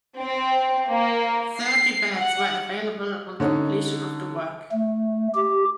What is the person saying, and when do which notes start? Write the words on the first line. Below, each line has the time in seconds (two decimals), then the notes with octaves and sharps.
Thirty beds were available on completion of the work.
0.18 C4
0.88 A#3
1.58 C7
2.17 F#5
3.40 D3 C#4 D#4
4.72 A3
5.35 G4